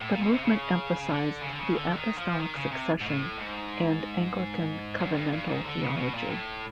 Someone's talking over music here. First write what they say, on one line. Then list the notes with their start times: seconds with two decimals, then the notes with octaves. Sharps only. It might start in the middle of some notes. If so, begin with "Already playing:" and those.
The movement emphasized the Apostolic Succession and Anglican Covenantal Theology.
0.01 A2
0.11 A#2
0.22 B2
0.33 C3
0.44 C#3
1.10 D3
1.42 C#3
1.50 D3
1.59 C#3
1.74 D3
1.97 D#3
2.17 F3
2.40 D#3
2.55 C#3
2.71 C3
3.00 G#2
3.05 A2
3.37 G#2
5.00 F#2
5.16 G2
5.33 G2
5.49 G#2
5.65 D3
5.81 C#3
5.97 B2
6.14 A#2
6.30 A2